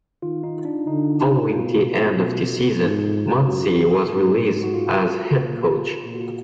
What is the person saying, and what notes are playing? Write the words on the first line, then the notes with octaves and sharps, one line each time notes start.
Following the end of the season, Munsey was released as head coach.
D#3 F4
D#4
D4
D3 D#4
B2 F4
B2
G#2
F#2 F#4
G#2
F#4
F4
A#2
A#2
F#4
F4